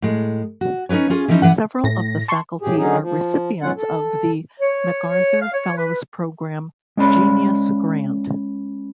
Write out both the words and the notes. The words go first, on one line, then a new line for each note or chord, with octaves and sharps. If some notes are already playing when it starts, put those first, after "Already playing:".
Several of the faculty are recipients of the MacArthur Fellows Program "genius grant".
A2 G#3
F#4
C#4 D#4 A#4 B4 C#5
C#4 F4 G#4
D3 E3 F3 C#4 D#4 E4
E3 B4 F#5
A2 A#6
A5 C6 C#6
A2 G4 G#4
D3 F#3 C#4 D#4 G#4
F3
G#2 B2 F#3 C#4 F4 F#5
A4
C#5
F5
C#5
B4
G#3 C#4 D5 B5